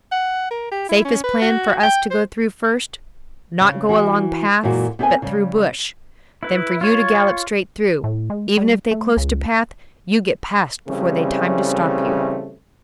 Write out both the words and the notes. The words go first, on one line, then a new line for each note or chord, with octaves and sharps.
Safest plan for us to go through first, not go along paths, but through bush; then for you to gallop straight through; even if they close to path, you get past before they time to stop you.
F#5
A#4
G4
E4
C#4
B4
F#4
G5
C5
C#3
E3 F#4
F#2 A#2 E3 G#3 F#4
B3 C4 G4 G#4 B4 G#5
C#3 G3
E4 B4
F4 C#5
A2
G#3
G3
A3
C#2
C#3 E3 G3 A3 C4 C#4